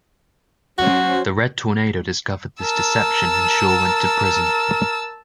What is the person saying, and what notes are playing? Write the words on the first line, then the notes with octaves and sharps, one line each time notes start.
The Red Tornado discovered this deception and Shaw went to prison.
F#3 C#4 F#4 C5
A#4 A5 E6